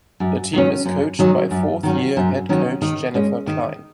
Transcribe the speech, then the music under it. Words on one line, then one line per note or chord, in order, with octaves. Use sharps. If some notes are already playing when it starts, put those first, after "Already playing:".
The team is coached by fourth year head coach Jennifer Klein.
F#2
D#3 F#3 C#4
F#2
D#3 F#3 C#4
F#2
D#3 F#3 C#4
F#2
D#3 F#3 C#4
D#3
G#3 C#4
D#3